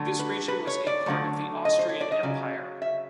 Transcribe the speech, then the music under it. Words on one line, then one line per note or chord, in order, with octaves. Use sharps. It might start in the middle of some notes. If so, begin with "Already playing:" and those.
This region was a part of the Austrian Empire.
Already playing: D3 F#3 A3
B4
B4
C#5
D5
D3 F#3 A3
D#5
C5
C#5
D5
D#5
C#3 F#3
E5